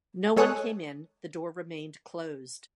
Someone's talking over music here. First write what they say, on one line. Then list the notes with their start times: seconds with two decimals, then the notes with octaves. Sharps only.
No one came in, the door remained closed.
0.37 G#3 A4 C#5 G#5 D#6 F#6